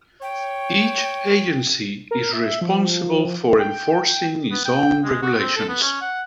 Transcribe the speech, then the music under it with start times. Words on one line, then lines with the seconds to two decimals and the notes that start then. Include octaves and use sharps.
Each agency is responsible for enforcing its own regulations.
0.22 C#5 G5
2.11 A#4
2.33 E5
2.61 F3
3.60 G5
4.51 B3
4.65 G5
5.04 G#3
5.22 F#4
5.38 C4
5.56 A4
5.68 B3
5.82 C#4
6.01 F#5